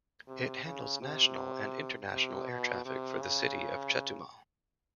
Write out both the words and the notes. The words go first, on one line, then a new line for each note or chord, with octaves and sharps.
It handles national and international air traffic for the city of Chetumal.
C3
C#3
C3
C3
B2
C3
C#3